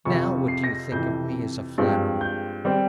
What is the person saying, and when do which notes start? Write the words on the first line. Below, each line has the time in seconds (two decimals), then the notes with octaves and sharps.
Now what do you think of me as a flatterer?
0.05 F2 C3 F3 C#6
0.48 C7
0.64 A#6
0.92 F2 C3 E3 G6
1.78 G2 F3 G#3 C4
2.21 G6
2.65 G3 C4